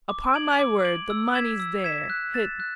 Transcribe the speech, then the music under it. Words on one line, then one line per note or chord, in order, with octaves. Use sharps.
"Upon my word, the money's there, hidden."
D6
G#6 D7 F#7
D6
G#6 D7 F#7
E6
G#6 B6 E7
E6
G#6 B6 E7
F#6
A6 E7
F#6